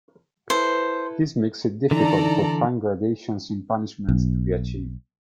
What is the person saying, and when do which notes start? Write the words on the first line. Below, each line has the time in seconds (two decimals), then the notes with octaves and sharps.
This makes it difficult for fine gradations in punishments to be achieved.
0.50 E4 A4 B4 C5
1.91 D3 E3 D#4 A4 D5 A#5
4.09 B1